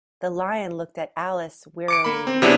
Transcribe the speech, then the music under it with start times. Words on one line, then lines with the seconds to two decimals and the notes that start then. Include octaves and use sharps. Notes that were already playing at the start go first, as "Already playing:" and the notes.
The Lion looked at Alice wearily.
1.88 D6 C#7 D7
2.04 A#3 B5
2.27 C4
2.42 C3 F#3 B3 D4 E4 G#4